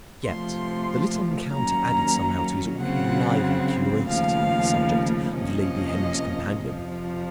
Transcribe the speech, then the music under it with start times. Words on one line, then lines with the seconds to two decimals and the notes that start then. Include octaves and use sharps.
Yet the little encounter added somehow to his already lively curiosity on the subject of Lady Henry's companion.
0.24 C3 F3 A3 C6
1.52 D#2 D#3 F#3 A#3 C#4 A#5
2.79 C#3 F#3 C4 F#5
4.07 D#2 C#3 F3 A3 F5
5.34 C3 F3 A#3 C#4 D#5
6.61 F2 C3 F3